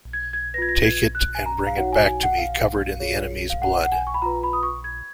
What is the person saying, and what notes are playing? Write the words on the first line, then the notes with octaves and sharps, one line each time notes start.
Take it and bring it back to me covered in the enemy's blood.
G#6
G#6
F4 B4 G#6 A#6
A#6
G#6
F#6
G#5
A#5
F5
D#4 F#4 C#5 F#5
G#5
G#5
F#5
F5
F4 G#4 C#5
F5
F#5
F#5
G#5
C#6
B5
F4 B4 A#5
B5
D#6
C#6
G#6